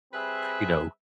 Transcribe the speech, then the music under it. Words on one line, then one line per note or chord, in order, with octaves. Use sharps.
you know,
G3 C4 G#4 B4 E5